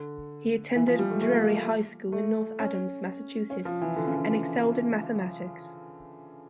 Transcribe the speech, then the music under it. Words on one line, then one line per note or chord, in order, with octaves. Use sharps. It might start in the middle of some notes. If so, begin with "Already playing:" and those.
He attended Drury High School in North Adams, Massachusetts and excelled in mathematics.
Already playing: D3
E3
F3
G3
A3
A3
A#3
A3
A3
C#4
C#4
F3
E3
D3
C#3
D3